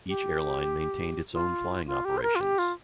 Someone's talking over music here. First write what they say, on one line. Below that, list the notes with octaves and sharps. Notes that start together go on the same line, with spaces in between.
Each airline maintained is own flying operations.
G4
F4
F4
G4
C5
A#4
F4
G4
F4